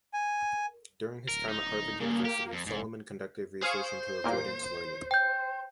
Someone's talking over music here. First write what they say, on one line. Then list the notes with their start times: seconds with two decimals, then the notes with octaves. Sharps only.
During his time at Harvard University, Solomon conducted research into avoidance learning.
0.13 G#5
1.29 D1 A#4
1.49 D#4
2.00 G2 C#3 A#3
2.25 G4
2.52 F2
2.66 F1 G#2
3.62 G#4 C5 F5 C#6
4.24 E2 A#2 A#3
5.11 G5 G6